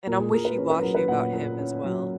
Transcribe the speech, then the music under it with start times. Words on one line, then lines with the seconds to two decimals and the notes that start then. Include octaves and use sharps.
and I'm wishy-washy about him as well.
0.07 A#2 A#4
0.19 G#4
0.32 A#2 A#4
0.45 B4
0.57 C#4 C#5
0.70 B4
0.81 F#3 A#4
0.94 B4
1.08 A#2 F#5
1.33 A#2
1.59 C#4
1.84 F#3